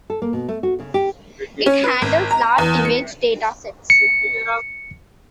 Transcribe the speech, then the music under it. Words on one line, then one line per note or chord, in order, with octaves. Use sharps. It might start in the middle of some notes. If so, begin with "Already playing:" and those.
It handles large image data sets.
A4
A#3
B2
A3
F#4
C#3
G4
C#4
B4
G#1
A#5
E2
C#7
C#7